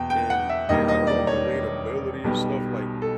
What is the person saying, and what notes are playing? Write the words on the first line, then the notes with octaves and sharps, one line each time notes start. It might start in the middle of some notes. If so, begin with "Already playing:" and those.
in a I don't know, relatability and stuff, like,
Already playing: E2 B2 G5
G5
F#5
E5
E1 D#2 D#3 G3 A#3 D#5
D#5
D5
C#5
B1 B2 G3
A4